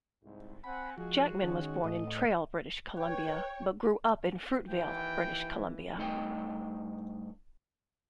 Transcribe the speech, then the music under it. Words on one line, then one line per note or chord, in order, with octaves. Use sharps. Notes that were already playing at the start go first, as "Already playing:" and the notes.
Jackman was born in Trail, British Columbia, but grew up in Fruitvale, British Columbia.
C2 G#2
C4 F#5 G#5 B5
F3 G#3 F#4 G#4
D#3 C#4
A2 D#5
B4 C#5 G5
D#2 E3 G5
G2 A3 D#4 D#5 G5